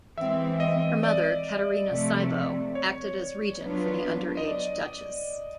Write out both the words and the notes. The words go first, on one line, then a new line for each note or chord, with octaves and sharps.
Her mother Caterina Cybo acted as regent for the underage Duchess.
E3 G#3 C4 E5
D#5
D5
C3 F3 A3
C#5
F#3 B3 D4 F4
D#5
D5